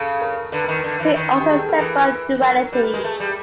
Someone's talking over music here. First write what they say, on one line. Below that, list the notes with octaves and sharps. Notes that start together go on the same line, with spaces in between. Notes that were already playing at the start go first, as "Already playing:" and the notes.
See also Seiberg duality.
Already playing: C#3 A4
A#4
D3 B4
D#3 A#4
B4
D3
E3
D#3
G4
G#4
A4
A#4
E3 B4
F#3 A#4
G3 B4
A#4
G#3 G#4
A3
G3